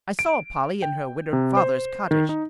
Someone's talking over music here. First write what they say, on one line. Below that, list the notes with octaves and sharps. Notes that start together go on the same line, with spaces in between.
I saw Polly in her widowed father's cottage.
D7
G5
C3
C5
D#3
D#4